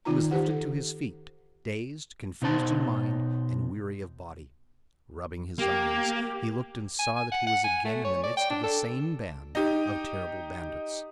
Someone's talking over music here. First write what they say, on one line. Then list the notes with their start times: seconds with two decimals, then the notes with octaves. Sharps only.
He was lifted to his feet, dazed, confused in mind, and weary of body. Rubbing his eyes, he looked and saw that he was again in the midst of the same band of terrible bandits.
0.05 D#3 D#4 F4 A#5
0.31 G4 C5 F#5
0.47 A4
2.42 B2 D#4 C5 A5
5.58 A#3 G4
6.99 G#5
7.16 G#5
7.32 F#5
7.47 F#5
7.64 G#5
7.85 A3
8.04 C#5
8.23 D5
8.37 G5
8.50 D4
8.63 A4
9.55 D#4 G4